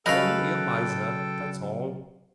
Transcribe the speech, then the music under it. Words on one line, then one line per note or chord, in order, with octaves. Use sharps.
Only a miser; that's all.'
C#3 F#3 A4 B4 D#5 F5 G5 F6